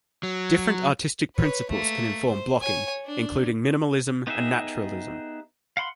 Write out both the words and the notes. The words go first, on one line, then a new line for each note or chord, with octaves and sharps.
Different artistic principles can inform blocking, including minimalism and naturalism.
F#3
B4 C#5
A3 A#3
C5
C#5 G#5
D4
B3 D#4 G4 G#4 E5
F5 F#5 B5 C6